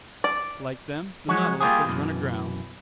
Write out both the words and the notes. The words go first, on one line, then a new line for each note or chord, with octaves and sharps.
"Like them, the Nautilus has run aground!"
D5
F3 F#3 G#3 F#4 C#5
G3 A#3 D4 F4 G4 G#4
F#2 B2 E3